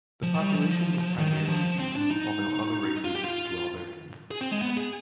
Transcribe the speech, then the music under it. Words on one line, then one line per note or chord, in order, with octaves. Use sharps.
The population is primarily human although other races dwell therein.
F3
G3
F3
D#3
F3
C4
D4
D#4
F4
G4
F4
G#4
C4
G#3
B3
G#4